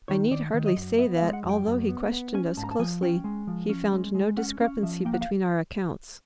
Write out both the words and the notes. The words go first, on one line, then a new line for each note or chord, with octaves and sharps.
I need hardly say that, although he questioned us closely, he found no discrepancy between our accounts.
D#3 C#5
D#3 D5
D#3
D#5
F#2
B3 E5
F5
G#3
F#5
F#2
G5
F#2
B3
B3
C#4 G#5
G#2 A5
A#5
A5
F3 G#5
C#4 G5
G#3
F3
C#4
G#3
G#3
C#4 F#5
C#4 F5
F3 E5
A#3 G5
F#5
F5